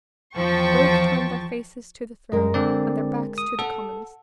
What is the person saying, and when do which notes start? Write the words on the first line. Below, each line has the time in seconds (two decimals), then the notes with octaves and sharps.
Both turned their faces to the throne, and their backs to the Commons.
0.36 E2 F3 G5 A5 C#6
2.32 F#2 G#3 A#4 D#5
2.54 D3 C4 D5
3.38 D#6
3.59 A4 F#5